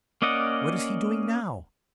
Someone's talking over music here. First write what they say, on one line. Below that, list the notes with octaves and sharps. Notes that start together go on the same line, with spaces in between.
What is he doing now?'
A#3 C#4 D5 D#5 F#5